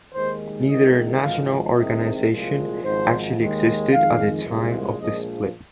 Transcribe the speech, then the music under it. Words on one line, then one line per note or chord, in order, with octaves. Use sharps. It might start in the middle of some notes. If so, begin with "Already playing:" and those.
Neither national organization actually existed at the time of the split.
D#2 D#3 G#3 C5
C2 C3 D#3 G#3 D#5
G#1 G#2 F3 F5
C2 C3 D#3 G#3 D#5
C2 A#2 F3 G#3
G#1 G#2 F3 C5
D#2 D#3 G#3
F2 D#3 G#3 F5
C2 A#2 G#3
A#1 A#2 F3 G#3 D#5